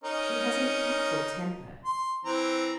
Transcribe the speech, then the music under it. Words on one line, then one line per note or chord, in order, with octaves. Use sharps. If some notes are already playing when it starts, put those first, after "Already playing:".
'She has an awful temper.'
C#4 D#4 A#4
C6
E3 C4 A#5